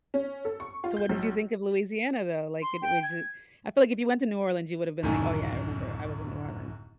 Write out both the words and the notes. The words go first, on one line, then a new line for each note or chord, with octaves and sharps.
So what did you think of Louisiana though, like it was jus I feel like if you went to New Orleans, you would’ve been like, "Oh yeah, I remember I was in New Orleans."
C#4
A4
C#6
F4
G6
B1
C6
G5
G#6
D1 C2 F#2 D#3 A3 G#5